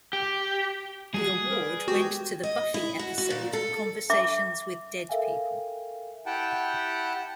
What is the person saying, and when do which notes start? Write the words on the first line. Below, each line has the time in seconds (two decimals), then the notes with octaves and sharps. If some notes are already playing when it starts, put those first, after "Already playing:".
The award went to the "Buffy" episode "Conversations with Dead People".
0.13 G4
1.14 G3 G#3 F#4 G#4
1.50 A#4 B4 D5
1.88 G#3 B3 F#4 G4
2.43 D#5
2.74 E4
2.99 F#4
3.18 F#4
3.30 A#2
3.53 A4
4.10 E5 D6
5.09 A4 A#4 E5 F5 G5 G#5
6.26 E4 G4 F#5 G5 A5